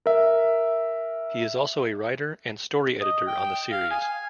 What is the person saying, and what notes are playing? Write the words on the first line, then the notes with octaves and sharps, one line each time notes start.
He is also a writer and story editor on the series.
A#4 E5
D#5
G5
F5
G#5